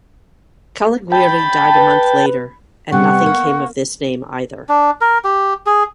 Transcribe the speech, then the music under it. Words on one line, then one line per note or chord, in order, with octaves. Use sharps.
Caliguiri died a month later, and nothing came of this name, either.
G5 A5 B5
B4
C3 G3 B3 F#5 C#6
A#3
D4
A#4
G4
G#4